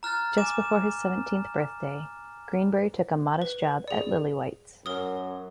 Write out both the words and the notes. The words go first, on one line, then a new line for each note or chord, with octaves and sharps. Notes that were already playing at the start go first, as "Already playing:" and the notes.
Just before his seventeenth birthday, Greenbury took a modest job at Lillywhites.
A#5 F6 F#6 A6
G#5 D6 E7
B4
G#4 D5
F#2 A#4 D#6